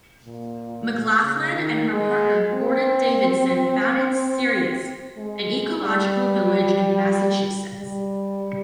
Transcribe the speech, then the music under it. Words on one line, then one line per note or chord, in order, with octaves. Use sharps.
McLaughlin and her partner Gordon Davidson founded Sirius, an ecological village in Massachusetts.
A#2
C#3
D#3
G#3
C4
G#3
G3
G3